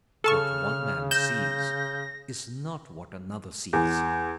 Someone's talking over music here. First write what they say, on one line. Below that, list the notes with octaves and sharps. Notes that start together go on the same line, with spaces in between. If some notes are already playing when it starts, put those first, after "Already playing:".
What one man sees is not what another sees.
C#3 A4 A5 C#6 F6
G6 A#6 E7
E2